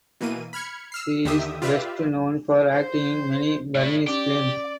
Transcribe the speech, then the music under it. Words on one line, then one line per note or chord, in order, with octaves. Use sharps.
She is best known for acting in many Burmese films.
B2 E3 A#3 D#7
B5 F6 G#6 C#7
E6 F6 C7
D#2 D3 D#3 G4 E5 D#6
F4 G4 B4 D5 E5 F5
C5
A2 D5
C#4 G4 D5